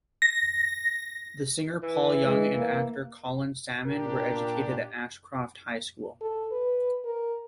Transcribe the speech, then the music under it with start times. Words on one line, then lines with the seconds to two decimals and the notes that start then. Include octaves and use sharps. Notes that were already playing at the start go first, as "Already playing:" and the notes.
The singer Paul Young and actor Colin Salmon were educated at Ashcroft High School.
0.22 A#6
1.83 E3
2.25 G#3
2.56 A#3
3.86 A#2 D4 G4 A#4
6.21 A4
6.51 B4
7.05 A#4